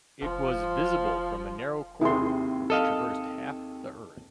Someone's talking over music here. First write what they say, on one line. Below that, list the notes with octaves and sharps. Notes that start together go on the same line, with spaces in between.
It was visible from a narrow corridor which traversed half the Earth.
F1 F3
D#2 C3 E4 G#4 C6
A4 D#5 F5